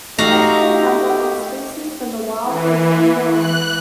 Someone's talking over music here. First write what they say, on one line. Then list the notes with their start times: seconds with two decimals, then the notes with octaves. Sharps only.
The actual number of species in the wild is unknown.
0.18 A3 D#4 F#4 G4 D#5 F5 A#5
2.44 E3
3.33 F#6